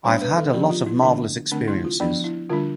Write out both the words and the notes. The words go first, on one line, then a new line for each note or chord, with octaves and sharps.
I've had a lot of marvellous experiences.
G3 B3 D4 C5
B4
A4
F3 B3 D4 G4
F4
E4
D3 A3 D4
D3 A3 C4 D4
E4
F4
F3 B3 D4
E4
D3 G3 D4 F4